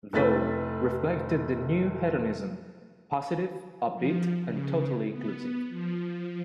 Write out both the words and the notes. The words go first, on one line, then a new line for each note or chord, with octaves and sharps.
'Vogue' reflected the new hedonism; positive, upbeat, and totally inclusive.
F1 A3 E4 B4 A6 B6
F3
C#3
B3
F3